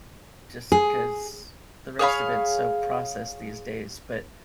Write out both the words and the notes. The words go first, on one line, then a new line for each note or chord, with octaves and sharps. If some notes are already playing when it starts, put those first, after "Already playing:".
just 'cause the rest of it's so processed these days. But
G#4
G#4 C#5 F5 B5